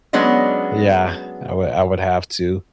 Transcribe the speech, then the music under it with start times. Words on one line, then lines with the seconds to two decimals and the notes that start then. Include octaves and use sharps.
yeah, I would I would have to.
0.13 F#3 G#3 B3 C#4 D4 D#5